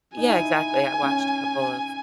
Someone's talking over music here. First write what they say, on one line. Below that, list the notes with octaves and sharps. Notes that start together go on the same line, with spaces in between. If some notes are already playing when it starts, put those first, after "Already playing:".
Yeah, exactly, I watched a couple of
D#4 G#5
E4
D#4
C#4